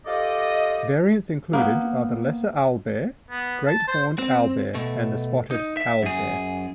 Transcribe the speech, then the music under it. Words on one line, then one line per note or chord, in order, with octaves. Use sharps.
Variants included are the lesser owlbear, great horned owlbear and the spotted owlbear.
F4 G4 A4 D5 D#5
A#3 B3
B3
A5
C5
C4
B2 A3
D#4
E5
F#2 G#4